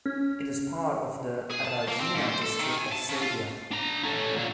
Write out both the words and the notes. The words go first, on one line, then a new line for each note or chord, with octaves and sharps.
It is part of the Rasina District of Serbia.
C#4
G#4
A5
A#3
C4
G#2
C5
A4
D#3
G#5
A5
C#3
F4
D4 A#5
C#4 A4
A#2 D3